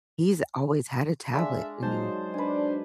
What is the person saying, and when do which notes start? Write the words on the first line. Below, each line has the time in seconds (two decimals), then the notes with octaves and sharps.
he's always had a tablet, and
1.33 G#3 D4 E5 F5
1.83 F#3 G#3 D#4 C5 A5
2.34 D4 B4 G#5